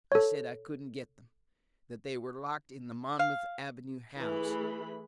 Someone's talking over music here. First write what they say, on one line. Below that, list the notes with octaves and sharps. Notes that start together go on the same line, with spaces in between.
I said I couldn't get them--that they were locked in the Monmouth Avenue house.
A4 C#5
F5
E3 A3 G#4 B5